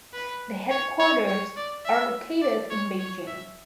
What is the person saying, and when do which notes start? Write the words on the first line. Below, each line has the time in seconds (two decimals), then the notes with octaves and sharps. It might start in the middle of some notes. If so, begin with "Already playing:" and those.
The headquarters are located in Beijing.
0.13 B4
0.71 C#5
0.99 C#5
1.27 C#5
1.57 D5
1.85 E5
2.42 D5
2.70 C#5
2.99 C#5
3.27 E5